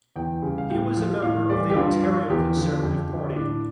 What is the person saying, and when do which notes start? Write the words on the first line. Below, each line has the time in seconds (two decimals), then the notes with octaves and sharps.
He was a member of the Ontario Conservative Party.
0.16 E2 G5
0.42 C#3 G3
0.58 F5
0.70 A2 G5
0.96 F3
1.22 A2 F5
1.50 E3 G3 D5
1.70 G4
1.76 G2 F4
2.03 F3
2.29 E2 G4
2.56 D3 F3
2.83 F2
3.09 D3 F3
3.36 A2 D4